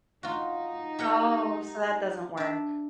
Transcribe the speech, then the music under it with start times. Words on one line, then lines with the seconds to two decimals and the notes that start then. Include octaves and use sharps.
Oh, so that doesn't work,
0.23 D#4 F4 F#4
0.99 G4 A#4 F#5
2.37 D4 E5